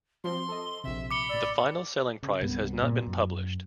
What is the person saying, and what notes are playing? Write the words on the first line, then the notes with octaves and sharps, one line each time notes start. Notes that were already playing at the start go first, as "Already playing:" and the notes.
The final selling price has not been published.
F3 C4 C6
A4 D#5
A#1 C3 E5
B5 D6 C#7 G7
A1 D5 E6
C#3
C2 G2 B3
A#2 B3
F#2